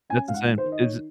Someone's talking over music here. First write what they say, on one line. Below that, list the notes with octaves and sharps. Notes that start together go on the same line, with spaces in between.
That's insane. Is i
C#4 G#5
G#2 F5
F#5
D#3
C5
D#3
D#5
D#3 C#5